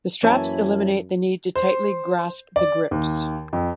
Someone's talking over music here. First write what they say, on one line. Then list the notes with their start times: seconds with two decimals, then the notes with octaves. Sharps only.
The straps eliminate the need to tightly grasp the grips.
0.23 F#2 E3 A#3 C#4 E4 C#5 E5 A5
1.55 C5
2.56 D5
2.91 D#2
3.53 F2